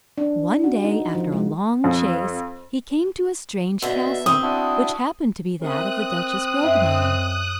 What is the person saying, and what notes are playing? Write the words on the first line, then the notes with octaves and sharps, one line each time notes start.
One day, after a long chase, he came to a strange castle, which happened to be that of the Duchess Grognon.
D4
F#4
D#4
F3
G#3
F2
B2 D3 E5
C4 D#6
D4 E4 F#4
C4 A#4 C5 E5 D#6 F#6
F#2 D#5 E5 G5